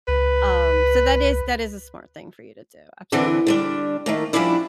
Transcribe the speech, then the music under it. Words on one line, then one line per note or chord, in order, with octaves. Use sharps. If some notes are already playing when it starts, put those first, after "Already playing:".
um, so, that is that is a smart thing for you to do, absolutely.
C#2 B4
D3 E3 B3 C4 D4
D3 G3 D4
D#3 A3 A#3
F3 G3 G#3 C#4 D4 E4